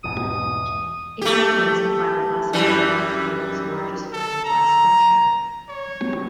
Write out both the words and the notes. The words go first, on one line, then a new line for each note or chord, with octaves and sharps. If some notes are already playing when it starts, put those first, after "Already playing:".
It contains a fiberglass musky, the world's largest fiberglass structure.
E2 G#2 B2 D#6
A3 G4
F#2 E3 G3
A4
A#5
C#5